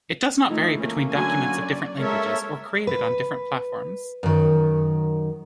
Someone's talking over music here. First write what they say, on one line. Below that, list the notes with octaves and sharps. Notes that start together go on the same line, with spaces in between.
It does not vary between documents of different languages or created on different platforms.
E3 F3 A3 D#4 E4
A3 A#3 C#4
D3 F#3 A#3 C#4 F#4 G#5
D5
G#3 A#3 A4 A#4 C#5 E5
B4
F#2 D#3